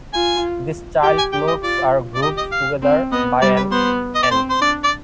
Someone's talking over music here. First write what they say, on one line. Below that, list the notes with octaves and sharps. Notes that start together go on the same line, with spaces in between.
These child nodes are grouped together by an "and".
F4 G#5
G4 G5
G#5
G4 G5
D#5
F4 D5
D5
G4 D#5
D#5
F5
C4
B3 D#5
G3 D5
B4
B3 C5
D#5
D5
C4 C5
C5
D4 D5
D5